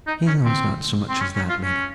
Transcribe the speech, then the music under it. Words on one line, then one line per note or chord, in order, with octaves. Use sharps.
'He knows not so much as that, lady.'
D#4
C#4
C4
C4
C#4
C#4
F4
C#4